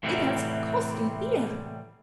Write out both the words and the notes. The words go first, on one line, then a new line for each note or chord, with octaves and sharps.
"It has cost you dear!"
A2 C3 E3 F#3 G3 C4